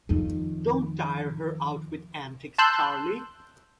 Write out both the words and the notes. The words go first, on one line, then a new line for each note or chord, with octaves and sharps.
Don't tire her out with antics, Charlie.
F2 D#3
A5 C6 E6 F#6 G6